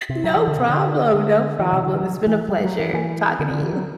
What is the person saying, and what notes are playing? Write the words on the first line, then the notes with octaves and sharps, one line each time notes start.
No problem, no problem. It's been a pleasure talking to you.
C3
F#3
E3
D3
C3
D3
D3
E3
C3
D3
E3
F#3
E3
G3
F#3
E3
E3
D3
D3
E3
F#3